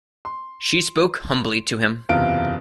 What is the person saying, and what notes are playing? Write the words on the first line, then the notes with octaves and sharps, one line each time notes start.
She spoke humbly to him.
C6
F#1 E2 C3 F4 D7